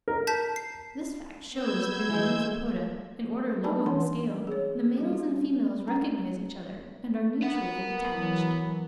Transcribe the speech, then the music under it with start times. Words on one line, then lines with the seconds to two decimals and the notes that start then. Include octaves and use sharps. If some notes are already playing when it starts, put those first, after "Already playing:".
This fact shews that in the Amphipoda, an order low in the scale, the males and females recognise each other, and are mutually attached.
0.08 A#4
0.27 A5 G6 B6
0.56 C7
1.53 B3 E6 G6 G#6
2.10 E3 G#3
3.63 D4 D#4 B4 G#5 A5 B5
3.86 E3 C#4 C#5 F#5 C6
4.47 G#4 C#5
4.98 G3 F#4
5.13 G4
5.87 C#4 D4 A#5
7.42 B3 A#4 F#5
8.07 E3 F#3